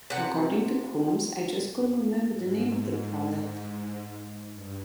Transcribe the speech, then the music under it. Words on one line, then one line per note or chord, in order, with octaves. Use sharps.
According to Coombs: I just couldn't remember the name of the product.
C3 F#5
G#2
G2